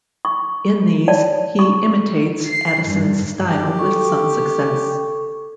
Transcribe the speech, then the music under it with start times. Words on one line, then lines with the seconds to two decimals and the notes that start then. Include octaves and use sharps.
In these he imitates Addison's style with some success.
0.25 C#6
1.08 C#5 D5 A5
1.59 C#6
2.45 C7
2.85 G2
3.48 G4
3.79 A4 C#6